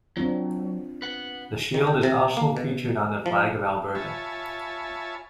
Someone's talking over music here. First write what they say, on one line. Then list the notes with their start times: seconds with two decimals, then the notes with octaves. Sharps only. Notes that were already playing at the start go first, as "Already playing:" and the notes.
The shield is also featured on the flag of Alberta.
0.17 F#3 C4 D4 F4
1.02 B4 F#5
1.74 D#3
1.87 G5
2.03 C3
2.37 A#3
2.57 B2
3.26 F3
3.95 F4 C#5 E5 G#5 A5 B5